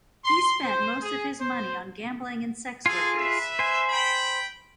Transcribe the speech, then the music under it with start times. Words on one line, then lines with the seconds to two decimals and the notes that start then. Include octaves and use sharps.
He spent most of his money on gambling and sex workers.
0.25 C6
0.64 C5
1.02 G#4
1.40 C5
2.86 F4 G#4 A4 G#5
3.18 B4 E5
3.59 C5 G#5
3.89 G5 B5